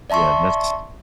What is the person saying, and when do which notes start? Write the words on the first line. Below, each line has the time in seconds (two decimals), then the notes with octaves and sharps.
Yeah, that's
0.10 D5 E5 A5 C6 C#6